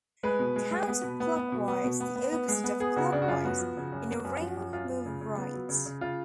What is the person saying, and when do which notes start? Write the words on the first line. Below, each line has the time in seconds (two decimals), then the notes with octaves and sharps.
Counter-clockwise - the opposite of clockwise - in a ring, move right.
0.23 G#3 B4
0.39 B2
0.56 G#3
0.71 G#3
0.87 B3
1.03 B2
1.20 B3
1.36 B3
1.52 B2
1.68 B3
1.84 B2
2.00 B3
2.16 B3
2.32 B3
2.48 G#3
2.64 B3
2.80 B3 G#4
2.96 C#3 F#4
3.12 C#3 D4
3.22 F#4
3.28 F#2 F4
3.45 B3 F#4
3.61 F3
3.77 C#3
3.92 F#2
4.09 B3
4.25 F#2
4.41 F3
4.57 F#2
4.73 F#2 F4
4.89 F#2
5.05 C#3
5.21 C#3
5.37 B3
5.54 F#3
5.69 C#3
5.86 C#3
6.01 C#3 F4